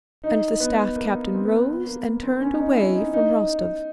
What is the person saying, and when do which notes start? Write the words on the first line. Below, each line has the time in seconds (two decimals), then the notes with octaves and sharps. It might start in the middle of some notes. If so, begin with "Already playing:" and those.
And the staff captain rose and turned away from Rostov.
0.24 D#4
0.60 B3
0.96 A#3
1.34 C4
1.45 B3
1.68 B3
1.87 A#3
2.23 C4
2.41 C#4
2.59 D#4
2.77 E4
2.95 D#4
3.14 D#4